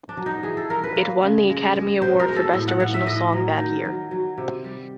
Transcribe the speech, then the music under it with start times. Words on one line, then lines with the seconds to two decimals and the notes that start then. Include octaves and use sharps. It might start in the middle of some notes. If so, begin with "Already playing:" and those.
It won the Academy Award for Best Original Song that year.
0.09 D4
0.17 F#3
0.26 D#4
0.43 E3 G#4
0.57 A4
0.70 G3 A#4
0.83 B4
0.96 A#3
1.23 C#3
1.49 G#3
1.76 G#3
2.02 B2 C5
2.19 A#4
2.28 G#3
2.36 A4
2.53 A2
2.68 F#5
2.80 A2 F#5
2.94 E5
3.06 A2 D#5
3.32 F#3
3.58 D#3
3.85 F#3
4.11 F#3
4.38 C3
4.64 G3